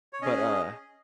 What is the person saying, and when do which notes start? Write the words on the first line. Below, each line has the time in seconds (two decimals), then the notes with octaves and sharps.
But, uh,
0.13 C#5
0.22 C#4 G#4 D#5